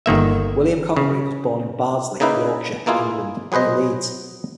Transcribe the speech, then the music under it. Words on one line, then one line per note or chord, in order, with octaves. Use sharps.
William Congreve was born in Bardsey, Yorkshire, England near Leeds.
G1 D#3 A#3 E5
C#3
C#3 A#3 D#4 E4 B4
B2 A#3 E4 F4 G#4
F#3 G#4 B4 C5 D#5